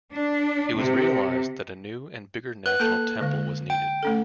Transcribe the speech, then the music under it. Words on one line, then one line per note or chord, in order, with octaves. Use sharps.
It was realised that a new and bigger national temple was needed.
D4
C3
B4 F#5 F#6
A#3 A4 A5
D3 G#3
G5
A3 C#4 A4